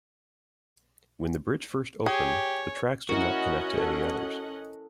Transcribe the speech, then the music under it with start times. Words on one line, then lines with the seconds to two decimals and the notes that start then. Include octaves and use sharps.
When the bridge first opened, the tracks did not connect to any others.
2.06 G4 G#4 C#5
3.09 C#4 E4 F#4 A#4 D#5 F#5
3.77 A4